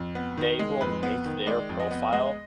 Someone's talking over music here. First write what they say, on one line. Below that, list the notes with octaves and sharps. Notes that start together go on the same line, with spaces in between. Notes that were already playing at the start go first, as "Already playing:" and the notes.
they will make their profile
Already playing: F2
B3
D#3
G#3
F2 B4
B3
D#3
G#3 D5
F2
D#5
B3
G#3 D#5